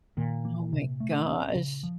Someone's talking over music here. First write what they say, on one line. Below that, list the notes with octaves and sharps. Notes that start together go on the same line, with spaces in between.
Oh my gosh.
A#2 D#3
A#3
C3
A3
C#4
C#3
F3